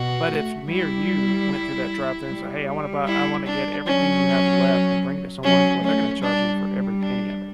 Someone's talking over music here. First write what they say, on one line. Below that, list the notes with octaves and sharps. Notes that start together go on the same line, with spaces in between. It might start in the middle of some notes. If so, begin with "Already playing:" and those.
But, if me or you went through that drive-thru and say, "Hey, I wanna buy I wanna get everything you have left and bring it to someone," well, they're gonna charge you for every penny of it.
Already playing: B2 F#4
A3
G3 E4
G3
E4
D4
F#3 C#4
F#3 C#4
A3 C#4
G3 D4
D4